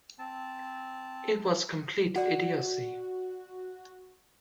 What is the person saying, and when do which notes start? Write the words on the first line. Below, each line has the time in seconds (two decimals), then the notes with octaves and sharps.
It was complete idiocy.
0.19 C4 A5
2.16 F#4 D5 F#5